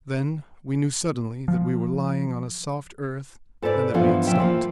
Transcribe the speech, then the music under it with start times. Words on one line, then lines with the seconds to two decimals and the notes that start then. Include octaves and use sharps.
Then we knew suddenly that we were lying on a soft earth and that we had stopped.
1.48 F3
3.62 G#2 A4 B4 C5 D5
3.94 G2 E3 F3 B3 F4
4.27 A#2 C#3 F3 E5 G5
4.38 E3 F3 A#3